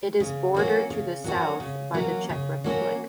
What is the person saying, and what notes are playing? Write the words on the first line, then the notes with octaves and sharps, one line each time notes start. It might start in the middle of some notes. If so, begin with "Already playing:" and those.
It is bordered to the south by the Czech Republic.
C#3
F#3 A#3 C#4 F#4
C#3
F#3 A#3 C#4 F#4
C#3
F#3 A#3 C#4 F#4
C#3
F#3 A#3 C#4 F#4